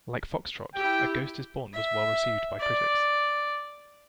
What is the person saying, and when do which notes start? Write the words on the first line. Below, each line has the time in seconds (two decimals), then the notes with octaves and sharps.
Like "Foxtrot", "A Ghost Is Born" was well received by critics.
0.74 E4 G4 G5
1.74 E5
2.60 D5